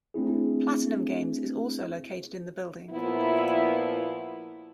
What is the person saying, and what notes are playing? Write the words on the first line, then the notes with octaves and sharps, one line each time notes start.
PlatinumGames is also located in the building.
A3 C4 D4 E4 G#4
A#2 F3 B3 E4